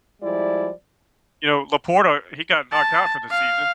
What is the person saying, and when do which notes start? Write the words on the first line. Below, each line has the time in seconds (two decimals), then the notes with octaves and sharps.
You know, LaPorta, he got knocked out for the season.
0.22 F3 G3 G#3 E4 D5
2.72 A5
3.31 F5